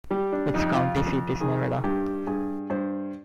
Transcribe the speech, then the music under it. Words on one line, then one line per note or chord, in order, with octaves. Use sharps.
Its county seat is Nevada.
G3 G4
D4
F2 D#4
F4
F2
D#3 G#4
G2 G4
G2 G#4
G2 C5